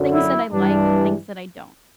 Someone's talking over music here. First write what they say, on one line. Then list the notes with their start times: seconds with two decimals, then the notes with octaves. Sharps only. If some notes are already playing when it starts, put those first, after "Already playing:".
things that I like and things that I don't.
Already playing: F#2 D3 F#3
0.13 E4
0.52 G2 E3 G3 D4